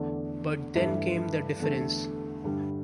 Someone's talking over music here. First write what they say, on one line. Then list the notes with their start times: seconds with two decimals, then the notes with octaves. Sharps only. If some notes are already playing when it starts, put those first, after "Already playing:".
But then came the difference.
Already playing: E2 D3 A3 D5
0.75 G2 E3 A3 E5
1.60 E2 D3 A3
2.44 G2 D3 G3